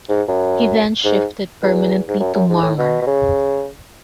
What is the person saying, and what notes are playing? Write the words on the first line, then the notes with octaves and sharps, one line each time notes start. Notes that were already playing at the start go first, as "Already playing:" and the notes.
He then shifted permanently to Munger.
G#2
F#2
G#2
E2
G#2
F#2
F#2
G#2
A2
B2
B2
C#3